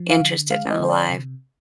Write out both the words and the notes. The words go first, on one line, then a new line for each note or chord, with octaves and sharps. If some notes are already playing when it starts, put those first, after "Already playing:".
interested and alive.
Already playing: F3
F5
D3
G#3 F5
D#5
D3 C5
D5
C3